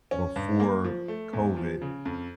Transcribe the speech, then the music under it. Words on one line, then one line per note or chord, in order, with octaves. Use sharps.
before COVID,
C#4
G2
A#3
F3
A3
E2
F3
C#3
F2